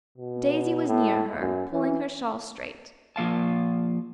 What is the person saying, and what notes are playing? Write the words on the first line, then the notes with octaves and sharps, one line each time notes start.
Daisy was near her, pulling her shawl straight.
B2
A2
F#2
E3
F3 A#3 F5 A5